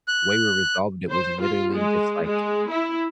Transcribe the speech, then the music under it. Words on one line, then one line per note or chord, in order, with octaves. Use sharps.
the way we resolved it was literally just, like,
F#6
C5
F4
G#3
G#3
E4